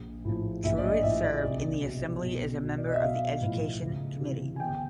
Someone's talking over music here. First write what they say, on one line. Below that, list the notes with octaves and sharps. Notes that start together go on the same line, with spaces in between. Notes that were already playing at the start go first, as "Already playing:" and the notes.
Truitt served in the Assembly as a member of the Education Committee.
Already playing: A#1
A2 F3
A#1 E5
D5
D#5
A2 F3 E5
D5
C2
B2
B1
B2
D5
D#5
E5
B1 F5
A2 F3
C#2
C3 E3
G#5
G1 G5